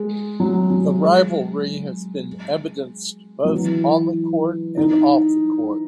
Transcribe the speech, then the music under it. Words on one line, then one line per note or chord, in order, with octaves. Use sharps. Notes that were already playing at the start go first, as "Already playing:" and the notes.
The rivalry has been evidenced both on the court and off the court.
Already playing: G#3
F#3
F#3
G#3
F#3
E3
D#4